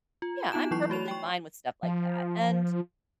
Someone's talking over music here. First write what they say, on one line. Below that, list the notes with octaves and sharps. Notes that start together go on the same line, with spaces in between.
Yeah, I'm perfectly fine with stuff like that. And,
F4
B3 D#4 F4 A5 E7
E3 F#3 E4 C#6 C7
A3 F#4 C#5 F7
G5 C#6
F3